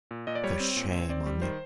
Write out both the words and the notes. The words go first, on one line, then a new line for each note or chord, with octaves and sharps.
For shame on you!
A#2
A#2 D#5
D5
G3 C#5
C4
A#2
C4
C4 D5
G3
D#3 C5